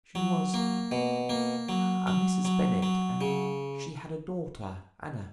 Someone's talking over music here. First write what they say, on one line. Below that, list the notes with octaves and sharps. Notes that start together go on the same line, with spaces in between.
She was a Mrs. Bennett, and she had a daughter, Anna.
F#3
A#3
B2
A#3
F#3
F#3
F#3
F#3
C#3